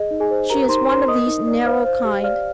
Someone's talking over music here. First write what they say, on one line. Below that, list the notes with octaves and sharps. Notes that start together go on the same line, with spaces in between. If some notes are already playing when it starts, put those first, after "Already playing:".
She's one of these narrow kind.
Already playing: G#4 D#5
D#4
G#4 G#5
C5
G4 A#4 A#5
D#4 C5 C6
C5 C6
A#4 D#5 D#6
D#4
D5
C5 F5 F6
C5
G4
D5 F5 F6